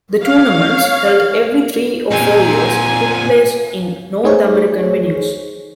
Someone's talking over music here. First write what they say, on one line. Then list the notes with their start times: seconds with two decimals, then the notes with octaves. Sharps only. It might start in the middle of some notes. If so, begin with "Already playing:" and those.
The tournaments, held every three or four years, took place in North American venues.
0.21 C#5 F5
2.11 A#2 C4 G#5
4.24 A3 D#4 G#4 C5 C#5